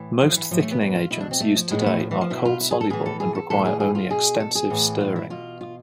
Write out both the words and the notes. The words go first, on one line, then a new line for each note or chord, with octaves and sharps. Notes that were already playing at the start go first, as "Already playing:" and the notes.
Most thickening agents used today are cold-soluble and require only extensive stirring.
Already playing: A2 E3
F3
E3
A2 E3 F3
A3
B3
B3
F4
B2 E4
D4
C4
A3
F3
A2 E3 G#3
B3
A3
F3
E3
F3
B2 E4
F4
E4
G#4
A4
A2 E3 G#4
A4
G#4
A4
A2 E3 A4
G#4
G#4
F4
B2 G#4
A4
G#4
A2 E3
F4
E4
B2 F4
F4